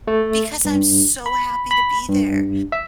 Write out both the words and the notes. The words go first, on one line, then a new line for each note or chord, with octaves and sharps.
because I'm so happy to be there,
A3
G2
B5
B5
G2
E5